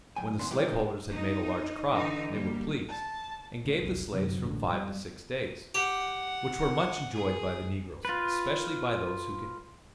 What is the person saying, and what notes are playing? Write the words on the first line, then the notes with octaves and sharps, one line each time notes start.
When the slaveholders had made a large crop they were pleased, and gave the slaves from five to six days, which were much enjoyed by the negroes, especially by those who could dance.
D#2 F#3 G5 G#5
E2 C#3 B3 D4 C6
C3 E3 F#3 G#3 G4
B1 A2 D4 C5 D#5
D#4
D3 E3 D#4
G3 A#3
A5
D2 C#3
E1 B1
G1 F#2 C3 F#3
A1 A2 D3
G3
G4 F#5
G#4
F4 B4